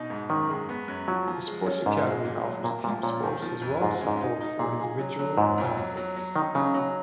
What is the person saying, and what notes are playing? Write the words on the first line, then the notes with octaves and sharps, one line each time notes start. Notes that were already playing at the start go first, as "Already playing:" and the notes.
The Sports Academy offers team sports as well as support for individual athletes.
Already playing: B2 D#4
G#2
F#2 D#3
G#3
B3
F#2
F3 F#3
F3
G#3
C#4
G#2 C#3
G#3
A#2
F#3
A#2 A#3
A#2 F3
A#2 C#4
D#3
F3
F2
G#2 G#3
C#3
G#2
D#4
D#4
A#2 G#4
G#4
F#3
F#3
F2 G#2
F2
F#3
F#3
F#3
D#3 D#4
C#3 F#3
F#3